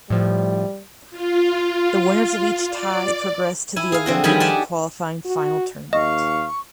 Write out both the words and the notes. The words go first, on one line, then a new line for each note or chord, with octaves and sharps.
The winners of each tie progressed to the Olympic qualifying final tournament.
A2 F3 G3
F4
D5
E4 G#5
G#4 F5
D3 C4 F#4
D#3 F3 G3 G#4 G#5 B5
G4 D5 F#5 G#5 A5
F#4
D#2 D#5 F5 C#6